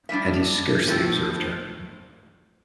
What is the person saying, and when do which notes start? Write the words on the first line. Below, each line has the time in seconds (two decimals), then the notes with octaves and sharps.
And he scarcely observed her.
0.09 A2 G3 D4 E5
0.87 A2 F3 A3 C4